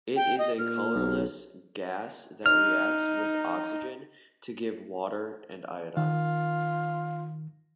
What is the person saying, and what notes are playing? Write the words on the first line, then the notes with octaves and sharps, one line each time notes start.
It is a colourless gas that reacts with oxygen to give water and iodine.
G5
D#5
A#2 F6
B1
D#4 F6
D#3 F4